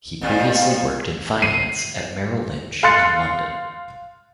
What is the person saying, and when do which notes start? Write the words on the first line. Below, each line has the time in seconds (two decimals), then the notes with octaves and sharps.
He previously worked in finance at Merrill Lynch in London.
0.21 F2 A#2 F3
1.42 C7 D#7
2.83 F5 C6 F#6 A6 C#7